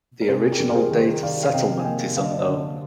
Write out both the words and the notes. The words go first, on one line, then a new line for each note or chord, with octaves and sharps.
The original date of settlement is unknown.
A#4
C3 G#4 C5
G#4
G4 A#4
G3
A#4
G#4 C5
D#3
G#4 C5
D#3 D5 F5
F5
C3 D#5 G5
G#5
A#3 D#5 G5
D3 F5
D#5
D5
C5 D#5
D3